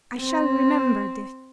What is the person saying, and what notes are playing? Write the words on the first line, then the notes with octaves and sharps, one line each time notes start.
I shall remember this.
C4